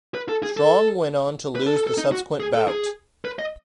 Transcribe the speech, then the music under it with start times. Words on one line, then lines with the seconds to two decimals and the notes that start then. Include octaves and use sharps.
Strong went on to lose the subsequent bout.
0.15 B4
0.29 A4
0.43 G#4
0.57 A4
1.55 B4
1.67 A4
1.77 A4
1.87 A4
1.98 D#4
2.12 F#4
2.40 G#4
2.54 A4
2.68 G#4
3.25 B4
3.39 D#5